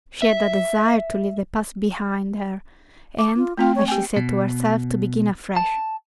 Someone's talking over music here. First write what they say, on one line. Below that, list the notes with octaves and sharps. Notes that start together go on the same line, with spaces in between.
She had a desire to leave the past behind her and, as she said to herself, to begin afresh.
E5
D6
F4
A3 C4 F4 G5
C#5
G4 G5 G#5
B2
A5